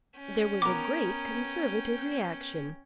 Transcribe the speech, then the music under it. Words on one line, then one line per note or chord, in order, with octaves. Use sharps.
There was a great Conservative reaction.
C#4 G5
B3 A#4 D6